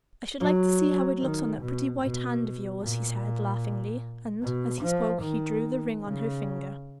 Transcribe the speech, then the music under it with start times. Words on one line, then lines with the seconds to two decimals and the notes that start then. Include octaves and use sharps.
"I should like to see how it looks on that pretty white hand of yours," he said, laughingly; and, as he spoke, he drew the ring on her finger.
0.41 F#3
1.21 D#3
1.61 B2
2.01 B2
2.82 A#2
4.42 B2
4.83 F3
5.23 D#3
6.03 C#3